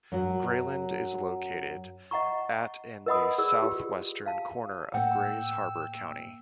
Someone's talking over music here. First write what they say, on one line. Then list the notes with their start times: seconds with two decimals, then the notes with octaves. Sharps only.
Grayland is located at in the southwestern corner of Grays Harbor County.
0.12 F#2 F#3
2.11 D#5 F#5 A#5 C#6
3.06 A#4 B4 D#5 F#5 B5 D#6
3.38 G#4 D5 E6
3.62 F4 G4
4.26 F5 A5
4.94 A2 A#3 F#5 G5 E6